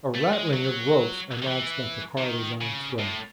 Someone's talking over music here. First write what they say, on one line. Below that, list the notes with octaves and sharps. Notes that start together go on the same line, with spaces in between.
A rattling of ropes announced that the car was on its way.
A3
G#3
F#3
D#3
E3
E3
D#3
C#3
A2